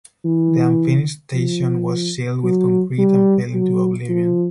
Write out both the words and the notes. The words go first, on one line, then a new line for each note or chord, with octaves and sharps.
The unfinished station was sealed with concrete and fell into oblivion.
E3
F3
F#3
G3
F#3
F3